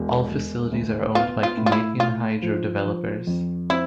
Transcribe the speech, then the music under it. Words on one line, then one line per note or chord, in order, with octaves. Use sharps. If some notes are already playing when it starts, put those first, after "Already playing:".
All facilities are owned by Canadian Hydro Developers.
Already playing: E1
E1
D2
B3 F4
F4
A2
F4
E4
A2 F4
F3
F3
F2
C4 E4